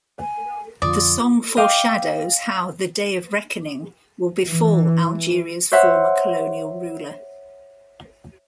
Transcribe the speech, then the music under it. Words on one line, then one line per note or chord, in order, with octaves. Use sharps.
The song foreshadows how "the day of reckoning" will befall Algeria's former colonial ruler.
G#5
F2 D3 F3 F4 D5 D#6
D#5 F5 G5 D6
E3
C5 C#5 E5 F#5